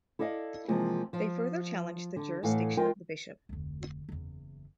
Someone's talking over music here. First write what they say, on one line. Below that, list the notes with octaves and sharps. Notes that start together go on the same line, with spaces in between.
They further challenged the jurisdiction of the bishop.
E4 A4 D5 D#5 F5
C3 E3 F3 G#3 A#3
F3
D3
A2 E3 A4 F5 F#5
G#3 F4 A#4 G5
F1 D2
F#1 E2